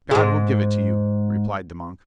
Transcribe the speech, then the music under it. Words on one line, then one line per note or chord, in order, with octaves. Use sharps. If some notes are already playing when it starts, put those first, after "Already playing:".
"God will give it to you," replied the monk.
G#2 G#3